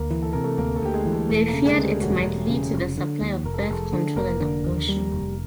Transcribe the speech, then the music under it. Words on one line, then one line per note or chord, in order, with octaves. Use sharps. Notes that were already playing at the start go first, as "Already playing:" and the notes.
They feared it might lead to the supply of birth control and abortion.
Already playing: D2 A#3 A#4
E3
A4
C3 A#4
A3 A4
D2 A#3 A#4
A3 A4
D2 G4
G#3 G#4
E3
A3 A4
E1 A3 A4
A#3 A#4
C#3
G#3 G#4
D2
G3 G4
E1 F#3 F#4
E1
C#3
F1
D3
D#2
F1 A#4
A4
G#4
F1 A3 A4
D3
F1 A#3 A#4
D3
D#2
G3
F1